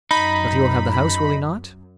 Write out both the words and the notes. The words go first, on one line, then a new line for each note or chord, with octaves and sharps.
"But he will have the house, will he not?"
F#2 D#4 B5